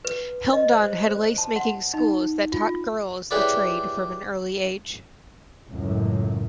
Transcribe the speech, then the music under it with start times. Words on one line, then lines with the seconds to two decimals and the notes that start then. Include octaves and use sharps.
Helmdon had lace-making schools that taught girls the trade from an early age.
0.05 B4
0.53 D#5
0.72 C5
1.09 C5
1.38 A5
1.56 F#5
1.94 D#4
2.52 F4
3.31 E4 G4 G#4 B4 C#5 D5
5.69 C#2 F#2 A2